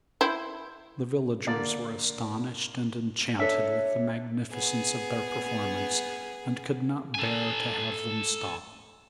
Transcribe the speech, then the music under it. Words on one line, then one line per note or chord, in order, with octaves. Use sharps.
The villagers were astonished and enchanted with the magnificence of their performance, and could not bear to have them stop.
E4 C5
D3 A#3 D5
D4 A4 C#5 E5
B3 G#4
A4 G#5